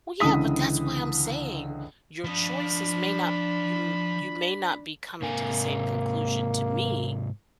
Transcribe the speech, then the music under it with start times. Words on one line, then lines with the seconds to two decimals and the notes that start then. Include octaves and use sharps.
Well, yeah, but that's why I'm saying your choices may not you you may not be coming to the same conclusion. To me,
0.20 C#2 D3 E3 D#6 B6
2.25 F3 D4 D#5 B5
5.22 G#2 C3 A#3 G#5